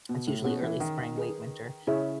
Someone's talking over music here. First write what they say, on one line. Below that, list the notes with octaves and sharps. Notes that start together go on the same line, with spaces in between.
it's usually early spring, late winter.
B2
A2
A2
B2 C#4 G#4 C#5 F#5
E3
D#3
D#3
D#4 G#4 B4
C#3 E4 G#4 C#5 E5